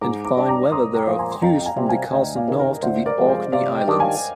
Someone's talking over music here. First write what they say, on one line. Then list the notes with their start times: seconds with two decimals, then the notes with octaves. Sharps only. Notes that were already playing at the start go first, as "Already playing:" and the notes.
In fine weather there are views from the castle north to the Orkney Islands.
0.01 G#2 A#5 D6
0.25 A#5 D6
0.37 G3 D4 G4
0.48 A#5 D6
0.72 C2 C6 D#6
0.95 G5 A#5
1.07 A#2 F3
1.19 G#5 C6
1.31 C6
1.42 F2 G5 A#5
1.57 G5
1.66 F5 G#5
1.77 C3 G3 C4
1.89 F5 G#5
2.12 D2 D#5 G5
2.36 D5 F5
2.48 C3 D#3
2.59 A#4
2.83 D2 C5
3.06 A#4 D5
3.17 C3 F3 G#3
3.29 C5 D#5
3.52 C3 D5 F5
3.76 D#5 G5
3.88 D#3 G3 D4 G4
4.00 F5 G#5